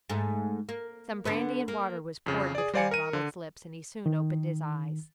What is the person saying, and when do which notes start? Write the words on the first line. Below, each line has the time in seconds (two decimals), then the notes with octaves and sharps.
Some brandy and water was poured between Ronald's lips, and he soon opened his eyes.
0.10 G#2 A3 D#4
0.69 A#3
1.25 D3 B3 B4
1.68 A#3
2.26 F2 C#3
2.55 G#4 D5
2.74 G3 C5 D5 F5 G#5 C#7
2.91 A#4 D#7
3.13 D3
4.06 D#3